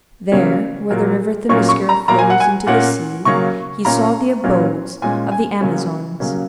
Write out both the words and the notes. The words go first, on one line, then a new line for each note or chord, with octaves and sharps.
There, where the River Themiscyra flows into the sea he saw the abodes of the Amazons.
C#3 F#3 A#3 C#4
A#2 F#3 A#3
A#2 F#3 A#3 C#4 C#6
C#6
A#5
A#2 F#3 A#3 A#5
G#5
F#5
G#5
A#2 A#3 C#4 F#5
C#3 F#3 A#3 C#4 C#6
A#2 A#3 C#4 A#5
A#2 F#3 A#3 C#4
A#2 G#3 C#4 G#5
G#5
C#3 F#3 A#3 C#4
C#3 F#3 A#3 C#4